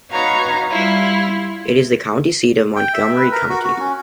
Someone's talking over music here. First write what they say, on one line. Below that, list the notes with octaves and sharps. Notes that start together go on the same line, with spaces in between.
It is the county seat of Montgomery County.
D#4 F#4 B4 C#5 F5 A#5
G3 E4 F4
G5
E5
B4
A#4
F#4
F#4
C#4